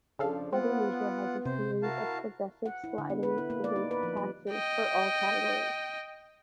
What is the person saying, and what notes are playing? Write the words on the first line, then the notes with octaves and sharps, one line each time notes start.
Indonesia has a series of progressive sliding rate taxes for all categories.
F2 C#3 F3 D4 A4 F5
B3 C4 F4 F#5
C3 C5
E4 F#4 A#4 F5 A5
F#5
E4
D3
B3
B4
E4
A#3
D5
D#4
B4
F3
G3
D#5 G5